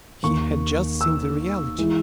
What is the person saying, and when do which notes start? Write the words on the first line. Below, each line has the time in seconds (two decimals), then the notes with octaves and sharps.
He had just seen the reality.
0.23 D#2 D#3 A#3 C#6
1.01 E6
1.78 E3 G#3